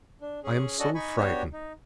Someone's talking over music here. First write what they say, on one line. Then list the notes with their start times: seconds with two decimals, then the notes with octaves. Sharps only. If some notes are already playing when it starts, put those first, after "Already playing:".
I am so frightened.
0.21 D4
0.44 C#4 G#4
0.79 C#4 D4 F#4 A4 D5 D#5
0.95 D#4 G#5 B5 C#6
1.16 B3 D4 F#4 G4 C#5
1.53 D#4